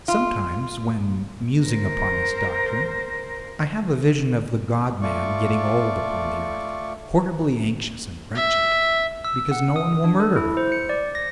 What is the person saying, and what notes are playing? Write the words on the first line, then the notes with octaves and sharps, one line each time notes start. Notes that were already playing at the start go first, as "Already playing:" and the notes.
Sometimes, when musing upon this doctrine, I have a vision of the God-man getting old upon the earth, horribly anxious and wretched, because no one will murder him.
F4
A#4 C5
A3 F4 D5 C#6
E5
E6
F#5
D#6
D4
A4
E4
C5
C#7
D5
A#6